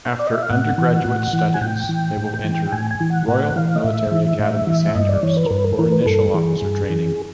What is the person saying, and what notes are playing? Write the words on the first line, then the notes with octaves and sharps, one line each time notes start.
After undergraduate studies they will enter Royal Military Academy Sandhurst for initial officer training.
D5
D#5
E5
F5
A2 F#5
E3
A2
E3
G#5
A2 G5
E3
A2
E3
A2 G#5
G#5
E3
F#5
A2 F#5
E3 F5
D#5
A2 E5
E3
A2
E3
G2 D#5
D5
E3 C#5
B4
A#4
G2 B4
A#4
E3 A#4
B4
G2 A4
E3 G#4
G2
E3